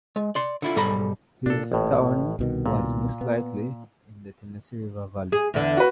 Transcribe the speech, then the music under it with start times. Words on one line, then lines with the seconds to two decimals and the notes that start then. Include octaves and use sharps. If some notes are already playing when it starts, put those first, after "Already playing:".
His town was most likely in the Tennessee River Valley.
0.16 G#3
0.35 D5 C6
0.62 D3 E4 F4
0.76 B1 G#2 G3 A4 A#5 B5
1.46 A#2 D4 A4
1.72 A1 A2
2.39 C2 B2 D#3
2.66 A#2
3.21 B3
5.32 G#4
5.54 E2 D3
5.77 F#4 B4